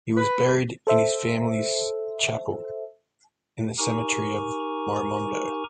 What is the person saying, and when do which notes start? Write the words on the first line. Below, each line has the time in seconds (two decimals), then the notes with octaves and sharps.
He was buried in his family's chapel in the cemetery of Morimondo.
0.16 B4
0.87 A4 C5 E5
3.78 D#4 G4 A#4 G#5 A#5 C#6